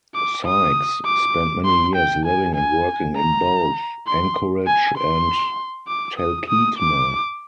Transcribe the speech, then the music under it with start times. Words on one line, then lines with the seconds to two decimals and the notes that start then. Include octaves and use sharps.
Sykes spent many years living and working in both Anchorage and Talkeetna.
0.15 D6
0.45 D#6
1.05 D6
1.65 C6
1.96 G5
2.26 G#5
2.56 G#5
3.16 A#5
4.07 C6
4.67 G#5
4.98 C6
5.88 D6
6.18 D#6
6.48 D#6
6.78 D6